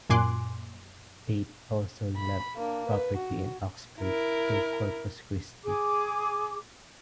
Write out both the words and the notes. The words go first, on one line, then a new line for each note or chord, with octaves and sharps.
Pate also left property in Oxford to Corpus Christi.
F#2 A#2 G#5 C6 D6 F#6
B5
A#3 D4
B4
F#4
E4 A#4
G#4 D6